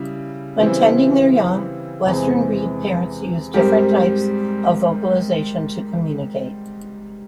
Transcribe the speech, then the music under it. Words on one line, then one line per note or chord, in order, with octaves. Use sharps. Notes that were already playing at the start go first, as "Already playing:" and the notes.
When tending their young, Western grebe parents use different types of vocalization to communicate.
Already playing: C#3 G3 E4
C#3 E3 G3 C4 E4
E2 C3 E3 G#3 C4
G#2 G3 C4 G4 A#4